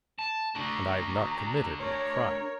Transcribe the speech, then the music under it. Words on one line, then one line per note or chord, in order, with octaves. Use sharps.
And I have not committed any crime.
A5
D4 F#4 A#5
A#4 C#5